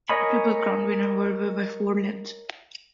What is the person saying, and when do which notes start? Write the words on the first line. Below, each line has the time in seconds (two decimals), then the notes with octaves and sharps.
Triple Crown winner Whirlaway by four lengths.
0.09 A#4 C#5 D#5 G#5 B5